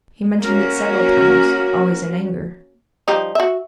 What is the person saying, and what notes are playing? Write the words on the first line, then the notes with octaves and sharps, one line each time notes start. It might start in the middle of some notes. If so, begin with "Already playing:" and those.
"He mentioned it several times, always in anger."
A#3 C#4 F#4 A#4
F3 G3 D#4
F#4 E5